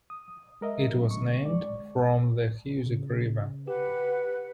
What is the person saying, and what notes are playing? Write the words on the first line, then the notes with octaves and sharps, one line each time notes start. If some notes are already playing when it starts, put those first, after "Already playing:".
It was named from the Hoosic River.
D#6
G#3 A#4 D#5 E5
F#3 C#4
D3 C#6
G#3 D5
C#3
G4 B4 F#5